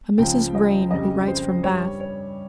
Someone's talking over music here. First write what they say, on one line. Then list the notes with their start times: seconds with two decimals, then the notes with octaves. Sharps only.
"A Mrs. Vrain, who writes from Bath."
0.18 C#2 C#3 F3 G5
0.55 D#5
0.90 F2 C#3 G3 D#5
1.27 C5
1.63 G2 G3 C#5
2.00 C#5